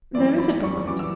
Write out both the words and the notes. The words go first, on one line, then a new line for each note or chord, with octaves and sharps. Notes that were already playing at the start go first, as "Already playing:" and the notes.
"There is a bond."
F#2 E3 G3 D5
B5
C#6
F#2 E3 G3 D6
E6